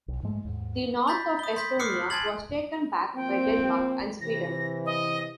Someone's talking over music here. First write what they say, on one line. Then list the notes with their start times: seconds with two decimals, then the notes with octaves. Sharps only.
The north of Estonia was taken back by Denmark and Sweden.
0.08 B1
0.23 G#2 F3 G#3 A3
0.45 D#2 G#2
1.08 B5 G6 A6 B6
1.39 D#6 G7
1.56 C6 G6 B6
1.79 D6 D#6 F6 F#6 C7 C#7
2.10 G#5 A5 C6 G#6 A6 F#7
3.16 F3 A#3 C4 G5
4.21 C3 E3 A#6
4.86 D#5